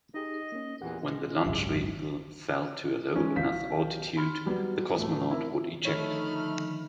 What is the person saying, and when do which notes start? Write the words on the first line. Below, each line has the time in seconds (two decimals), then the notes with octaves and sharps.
When the launch vehicle fell to a low enough altitude, the cosmonaut would eject.
0.14 D#4 G4 G#4 D#5
0.52 A#3 C#4
0.81 E2 A#2 E3 G4 F#5
1.00 A#2 G#3
1.46 G#1 C#2 F#2 G4 E5
3.14 E3 F3 G#3 C#4
3.36 B1 E4 F5 G6 B6
4.17 B5 C6 F6
4.46 F#3 G3 B3
4.98 A2 E3 F#3 A3
5.31 C4 E4 A#4
5.85 D3 D#3 F3 A3 D#4 C#5 B5 F6